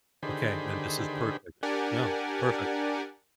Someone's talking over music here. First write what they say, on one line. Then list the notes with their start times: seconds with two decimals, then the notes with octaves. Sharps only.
Okay. Then this is perfect. No. Perfect.
0.23 D3 D#3 G4 G#4 C5 B5
1.63 D4 G4 A#4 D5 F#5 G#5